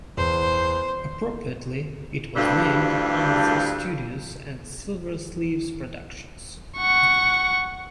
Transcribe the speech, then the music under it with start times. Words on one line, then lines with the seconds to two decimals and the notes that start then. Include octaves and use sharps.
Appropriately, it was named Anza Studios and Silversleeves Productions.
0.17 E2 C5
2.35 D2 G2 E3 G3 F4
6.77 F#5 C#6